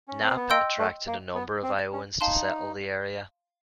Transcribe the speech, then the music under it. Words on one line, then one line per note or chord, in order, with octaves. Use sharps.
Knapp attracted a number of Iowans to settle the area.
C#4
C4
B3
A#3 D#5 G5 C6 E6 G6
A3
A#3
B3
C4
C#4
D#4 F5 A5 C6